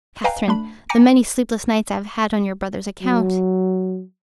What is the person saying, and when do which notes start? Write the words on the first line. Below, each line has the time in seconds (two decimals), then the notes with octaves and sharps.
Catherine, the many sleepless nights I have had on your brother's account!
0.24 B4 D#5 F5 G5 G#5 A#5
0.48 A3 D4 B5
0.89 G5 G#5 A#5 D6 A#6 C#7
3.02 F#3